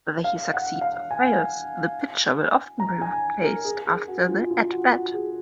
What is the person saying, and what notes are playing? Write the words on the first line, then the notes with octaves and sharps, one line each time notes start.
Whether he succeeds or fails, the pitcher will often be replaced after the at-bat.
F5
F#5
F5
G#5
A#5
G#5
A#4
G#4
G#4
F#4
F4
F4
F#4
F#4
G#4